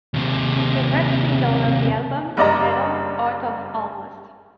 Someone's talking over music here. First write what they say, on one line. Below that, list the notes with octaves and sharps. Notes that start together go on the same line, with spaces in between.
The first single of the album is titled "Art of Almost".
D#2 C3
F#1 G2 D5 D#5 A#5